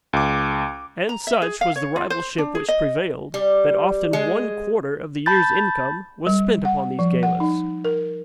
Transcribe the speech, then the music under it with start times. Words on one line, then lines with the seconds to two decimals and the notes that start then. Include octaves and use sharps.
And such was the rivalship which prevailed, that often one quarter of the year's income was spent upon these galas.
0.13 C#2 D6
1.09 A#5
1.27 E5
1.42 G#4
1.61 F5
1.76 C#5
1.96 F4
2.10 C5
2.38 D4
2.55 G#4
2.69 D#5
3.34 G3
4.13 G#3
5.26 A5 B5 G6 A6
6.27 G3
6.65 F#5
6.99 F3
7.23 F#5
7.40 D#4
7.85 A#4